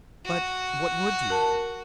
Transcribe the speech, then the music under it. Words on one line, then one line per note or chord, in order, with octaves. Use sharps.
But what would you?
F#4
A#4 A5